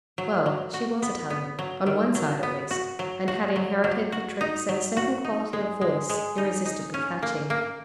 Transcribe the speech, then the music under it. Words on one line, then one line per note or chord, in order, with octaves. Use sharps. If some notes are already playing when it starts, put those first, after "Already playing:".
Well, she was Italian--on one side at least, and had inherited the tricks and a certain quality of voice, irresistibly catching.
F#3
F#3
F#4
B3
B3
F#3
D#3
F#3
B3
F#4
F#3
F#4
F#3
F#3
F#4
D#4
F#3
F#4
D#4
G#3
G#3
G#3
D#4
D#4
C#4
A#3
A#3